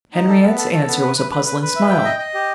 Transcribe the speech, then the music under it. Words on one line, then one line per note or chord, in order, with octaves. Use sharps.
Henriette's answer was a puzzling smile.
D#4
A4
B3
A4
A4
B3
B4
B4
B4
B4
B4
E5
G5
D#5
D#5
G4